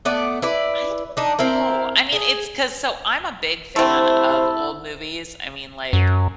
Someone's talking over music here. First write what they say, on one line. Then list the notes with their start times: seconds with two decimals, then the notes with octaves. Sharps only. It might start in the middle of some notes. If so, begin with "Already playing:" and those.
I don't know, I mean, it's 'cause so I'm a big fan of old movies, I mean, like,
0.05 A3 B3 D5
0.42 E4 B4 D5
1.17 D4 D#4
1.39 C4 E4 A#4
2.12 G#4
3.76 C3 A3 C4 E4 C5
5.93 F#2